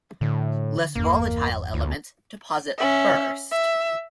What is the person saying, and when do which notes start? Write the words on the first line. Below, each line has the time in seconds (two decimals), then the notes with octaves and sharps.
Less volatile elements deposit first.
0.21 A2 D3
0.95 G1 E2 A#3
1.74 D2
2.78 C#4 E5
3.51 E5